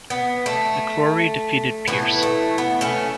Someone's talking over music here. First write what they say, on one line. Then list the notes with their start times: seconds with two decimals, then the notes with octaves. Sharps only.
McCrory defeated Pearce.
0.10 B3
0.46 A3
1.88 A2 E3 A3 B3
2.23 A3
2.58 B3
2.81 A3 C#4